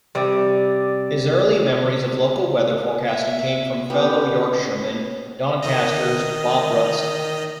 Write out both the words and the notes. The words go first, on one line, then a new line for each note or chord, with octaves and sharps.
His early memories of local weather forecasting came from fellow Yorkshireman, Doncaster's Bob Rust.
C3 G3 D5
E5
B3 C#4 G4
D#3 D#5